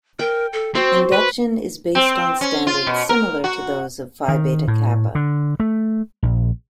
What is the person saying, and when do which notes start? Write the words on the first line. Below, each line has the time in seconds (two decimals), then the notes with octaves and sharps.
Induction is based on standards similar to those of Phi Beta Kappa.
0.19 A#4 G5
0.53 A4
0.75 C4 F#4 C5 C6
1.13 B4
1.95 C4
2.41 C#4
2.67 F4
2.87 B2
3.09 A#4
3.44 F#4
4.28 D#3
4.68 A2
5.15 D3
5.60 A3
6.23 A#1